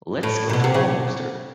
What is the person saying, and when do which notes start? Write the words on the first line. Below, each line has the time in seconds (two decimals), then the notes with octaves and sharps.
Let's go to Almoster.
0.23 A2
0.49 A#2
0.53 B2
0.64 C3
0.74 C#3